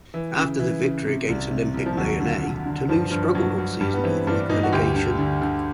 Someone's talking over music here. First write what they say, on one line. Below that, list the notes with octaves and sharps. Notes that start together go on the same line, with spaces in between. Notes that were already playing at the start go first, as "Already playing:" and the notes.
After the victory against Olympique Lyonnais Toulouse struggled all season to avoid relegation.
E3
C#3
E3
C#3
C3
C2
C3
C2
F3
D#2 F#3
D3
D3
D3
G2 F3
G2 F3
G2 F#3
G2
G2 G3
B3
E3 C4
G2 D4
G2 D#4
F#4
D2 G4
D3
D3
D3